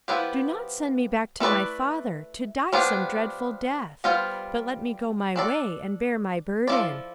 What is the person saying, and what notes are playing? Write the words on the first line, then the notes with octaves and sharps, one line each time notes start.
Do not send me back to my father, to die some dreadful death; but let me go my way, and bear my burden.
F3 B3 E4 G4 B4
A3 E4 B4 D5
F3 B3 D4 G4
G3 B3 F4 C5
D4 A4 D5
F3 A3 E4 A4 D5